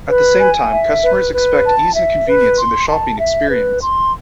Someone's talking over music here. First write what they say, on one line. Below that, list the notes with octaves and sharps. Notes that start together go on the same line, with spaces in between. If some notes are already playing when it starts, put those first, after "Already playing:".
At the same time, customers expect ease and convenience in their shopping experience.
B4
G#5
E5
B4
B4
A5
E5
B4
C6
A5
E5
B4
C6